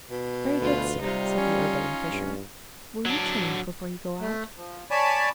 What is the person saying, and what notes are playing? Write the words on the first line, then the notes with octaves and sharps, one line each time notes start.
"Very good, sir," said the urbane Fisher, "will you change before you go out?"
B2
D2 F4 B4
C3 G3 D#4 F4
C#4
G2
F#3 D4
A3
F3
C#5 D5 G#5 A5 B5